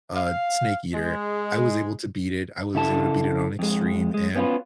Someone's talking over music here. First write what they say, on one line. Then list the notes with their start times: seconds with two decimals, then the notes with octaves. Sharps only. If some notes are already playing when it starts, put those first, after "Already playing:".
uh, Snake Eater, I was able to beat it; I was able to beat it on extreme, and,
0.15 F5
0.93 G#3
2.75 C#3 E4 A4 A5
3.59 F2 G#3
4.14 G#3
4.35 B3 C#4 E4 F4 B4